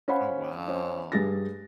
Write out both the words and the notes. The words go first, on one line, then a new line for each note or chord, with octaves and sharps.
Oh wow.
C#4 C5 F5 F#5 B5
C#4 C5
G2 G4 G#4 A6 A#6